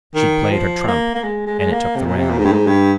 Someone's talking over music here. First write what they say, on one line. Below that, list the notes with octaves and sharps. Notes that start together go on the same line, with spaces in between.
She'd played her trump, and it took the round.
D#3
F3
A#3
A#3
G#3
G#3
G#3
A#3
C3
A#2
C3
A#2
G#2
G2
G#2
G2